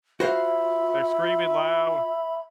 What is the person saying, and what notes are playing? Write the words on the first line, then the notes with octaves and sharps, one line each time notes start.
They're screaming loud.
F4 F#4 C5 E5 F5 B5